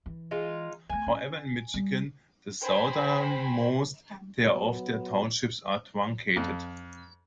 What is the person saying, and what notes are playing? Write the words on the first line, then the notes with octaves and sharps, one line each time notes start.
However in Michigan, the southernmost tier of townships are truncated.
E3
G#3 D#4 F4
A3 B3 G#5
C#4
G3
C5 G5 G#5 A#5 B5
F#3 B3
F2